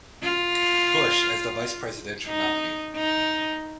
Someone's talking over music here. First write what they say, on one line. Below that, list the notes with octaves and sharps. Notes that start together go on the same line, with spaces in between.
Bush, as the vice-presidential nominee.
F4
D#4
D#4